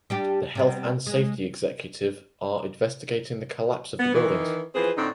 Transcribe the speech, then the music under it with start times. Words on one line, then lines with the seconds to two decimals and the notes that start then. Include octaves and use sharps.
The Health and Safety Executive are investigating the collapse of the buildings.
0.10 G3 D4 G4
0.55 C3 G3 B3
1.06 G#3
3.98 B3
4.14 D#3 E3
4.75 E3 F3 G#4 B4 C5
4.97 A2 D3 C4 D4 D#4